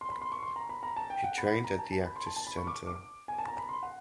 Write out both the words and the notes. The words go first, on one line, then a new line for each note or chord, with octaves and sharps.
She trained at the Actors Center.
C6
B5
C6
C#6
C6
A#5
B5
A#5
A5
G5
F#5
B5
A#5
A5
A5
B5
C6
A5
A5
B5
C#6
D6
D6
G#5
A5
A#5
B5
C6
F#5